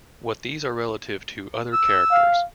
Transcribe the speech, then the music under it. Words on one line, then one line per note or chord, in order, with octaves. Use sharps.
What these are relative to other characters.
E6
F5